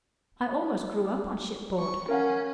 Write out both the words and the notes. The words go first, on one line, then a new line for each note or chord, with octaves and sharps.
I almost grew up on shipboard.
C#6
C#4 A#4 F5 F#5